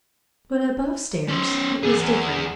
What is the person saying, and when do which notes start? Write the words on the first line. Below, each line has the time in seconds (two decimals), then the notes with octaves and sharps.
But above-stairs it was different.
1.29 C#4 C5
1.83 C4 G#4
1.96 E2